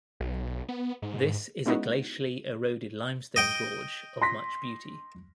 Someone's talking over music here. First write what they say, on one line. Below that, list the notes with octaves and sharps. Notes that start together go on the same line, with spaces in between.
This is a glacially eroded limestone gorge of much beauty.
B1
B3
G#2
G#3 B3 C#4 D#4 E4 F#4
D#5 G5
C6 A#6 B6